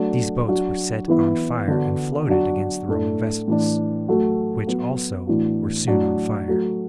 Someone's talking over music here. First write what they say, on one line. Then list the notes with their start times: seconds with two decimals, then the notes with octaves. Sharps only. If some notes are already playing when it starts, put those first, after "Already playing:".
These boats were set on fire and floated against the Roman vessels, which also were soon on fire.
Already playing: F#3 A3 D4 F#4
0.48 F#3 D4 F#4
1.08 E3 B3 E4
1.68 D3 B3 D4 F#4
2.28 F#3 D4 F#4
2.89 A2 A3 D4
3.48 A2 E3 D4
4.08 F#3 A3 F#4
4.67 F#3 B3 F#4
5.27 A2 E3 D4 F#4
5.88 A2 F#3 D4 F#4
6.48 F#3 A3 F#4